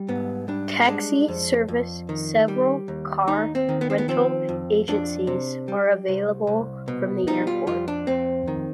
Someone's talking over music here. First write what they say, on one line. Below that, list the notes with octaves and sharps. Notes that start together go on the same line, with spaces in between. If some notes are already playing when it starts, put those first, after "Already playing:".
Taxi service several car rental agencies are available from the airport.
Already playing: G3
G#2 B3
G3 D4
G#3 D4
F2
F2
D#3
G3
D#2
D#2 D#4
C4
D#3
B3
C4
B3
F3 C4
F2
F2 D4
C3
G3
C2
C2
B2
G3 D#4
F4
F2 F4
D4
F2 C4
D#3